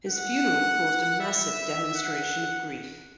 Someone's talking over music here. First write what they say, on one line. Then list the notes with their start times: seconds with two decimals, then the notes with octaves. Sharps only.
His funeral caused a massive demonstration of grief.
0.08 F#5
1.20 E5
1.95 F#5